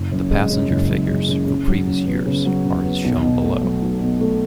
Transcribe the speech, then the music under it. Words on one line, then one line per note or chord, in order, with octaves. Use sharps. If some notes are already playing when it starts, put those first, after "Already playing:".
The passenger figures for previous years are as shown below.
Already playing: F#1
F#2
G#3
C#3
F#1
F#2
G#3
C#3
C#3
F#3
C#3
B3
C#3
F#3
C#3
B3
B1
B2
A3
F#3
B1
B2
A3